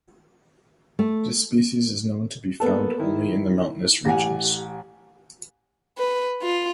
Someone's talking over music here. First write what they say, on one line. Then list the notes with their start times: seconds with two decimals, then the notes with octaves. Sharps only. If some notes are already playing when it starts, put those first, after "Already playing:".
This species is known to be found only in mountainous regions.
0.99 A3
2.60 A#3 B3 A4
3.00 D#3 E4
4.05 A1 G4 F#5 G#5
5.98 B4
6.42 F4